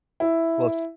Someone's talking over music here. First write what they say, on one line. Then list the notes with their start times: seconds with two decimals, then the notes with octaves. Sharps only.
Well, s
0.20 E4